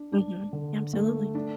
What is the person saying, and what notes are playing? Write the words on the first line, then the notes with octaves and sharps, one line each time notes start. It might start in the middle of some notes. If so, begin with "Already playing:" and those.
Mhm, absolutely.
Already playing: D4
D4
D3
A3
D4